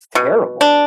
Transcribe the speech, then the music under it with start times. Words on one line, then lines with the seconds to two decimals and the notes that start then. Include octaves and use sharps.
it's terrible.
0.15 B2
0.61 D4